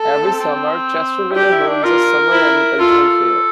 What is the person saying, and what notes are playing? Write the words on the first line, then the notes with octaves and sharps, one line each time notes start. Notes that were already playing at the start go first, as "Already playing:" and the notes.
Every summer, Chesterville holds a summer agricultural fair.
Already playing: A4
A3
C4
C4
E4
D4 G4
E4
D4
F4 A#4
E4
F4 A4